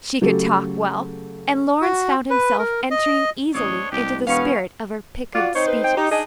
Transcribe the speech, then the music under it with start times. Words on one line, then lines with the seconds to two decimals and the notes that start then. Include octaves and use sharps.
She could talk well, and Lawrence found himself entering easily into the spirit of her piquant speeches.
0.21 C#3 F#3 A3 G4 A4
1.82 F#4
2.30 B4
2.59 A#4
2.91 D#5
3.54 A1 C4 D4 C#5 D#5
3.92 C2 G4
4.27 E1 B3 C#4 F5 C#6
5.35 F4 F#4 D5
5.55 C4 D#4 C5 C#5
5.68 B4
5.84 G5
5.97 D#4 G4
6.11 D4 D#4 G#4 D#5